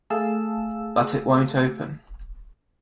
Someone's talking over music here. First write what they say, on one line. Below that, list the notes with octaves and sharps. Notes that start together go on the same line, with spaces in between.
But it won't open.
A3 G#4 F5 A5 E6